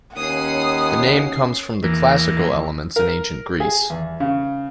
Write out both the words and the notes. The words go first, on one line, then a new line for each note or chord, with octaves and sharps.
The name comes from the classical elements in ancient Greece.
D#2 C#4 F#5 D#6 C7
E2 E3 A#3
A#4
G#4
E2
C#3